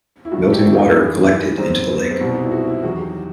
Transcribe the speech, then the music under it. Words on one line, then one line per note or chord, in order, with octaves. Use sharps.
Melting water collected into the lake.
E4
G2 F#3 F#4
A4
G4
E4
F#4
D#4
D#4
G2 E3 G3
F#2 D#3 G3 C4
B3
C4
C2 B2 G3
D#4
E4
F#4
E4
E2 D#3 F#3 F#4
G4